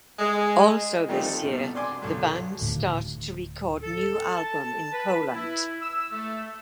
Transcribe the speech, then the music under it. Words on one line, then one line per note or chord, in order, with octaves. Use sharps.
Also this year the band start to record new album in Poland.
G#3
D#3 F3 G3 A3 C4 D#4
A4
C2 B2
D5 G#5 C6 D6
B1 D3 F#3
D1 A2 D3 D#3
A4
A5
B4
E4
E6
A3